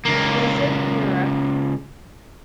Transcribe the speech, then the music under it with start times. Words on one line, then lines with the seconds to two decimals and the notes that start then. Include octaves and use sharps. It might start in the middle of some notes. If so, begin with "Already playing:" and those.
visit Europe.
0.06 C#2 A#3